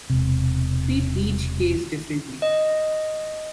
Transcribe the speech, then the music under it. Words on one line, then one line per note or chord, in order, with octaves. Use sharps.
Treat each case differently.
E1 C3
D#5